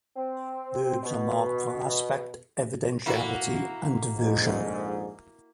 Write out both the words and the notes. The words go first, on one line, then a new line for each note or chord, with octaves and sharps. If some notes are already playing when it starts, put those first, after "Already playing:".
Verbs are marked for aspect, evidentiality and "version".
C4
B2
A#3 E4 F#4
A#1 F2 G#2